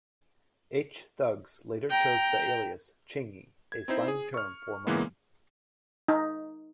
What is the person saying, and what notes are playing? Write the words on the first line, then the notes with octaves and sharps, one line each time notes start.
H Thugz later chose the alias Chingy, a slang term for money.
G5 A#5
G#6
C4 D#4 E4 C5
G#4
C#6 F6
A#2 C#3 E3 G#3 A#3 B3
D#4